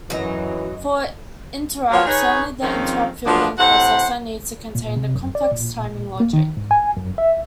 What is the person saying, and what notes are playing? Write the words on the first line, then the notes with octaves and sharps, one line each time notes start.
For interrupts, only the "interrupt-fielding processor" needs to contain the complex timing logic.
F#2 E3 F#3 D#4
F3 F#3 A#3 B3 F4 C#5
D#4 G#4 B4 C#5
F2 D#3 F3 G#3 C4 C#4
F3 F#3 G#3 B3 D4 F4
A2 C3 C5 F#5
A#2
C3
F#2
D5
A#2
A#3
D#3
G#2
G#5
F#2
E5